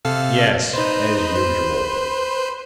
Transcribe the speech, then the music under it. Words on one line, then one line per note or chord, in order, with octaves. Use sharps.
"Yes--as usual!"
C3 A4 F5
D#4 B4 C5
B4 C5